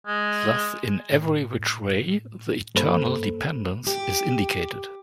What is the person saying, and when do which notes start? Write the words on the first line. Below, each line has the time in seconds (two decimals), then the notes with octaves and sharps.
Thus in every which way, the eternal dependence is indicated.
0.07 G#3
1.12 A2
2.75 G2 A#3 A4 C5 B5
3.87 G4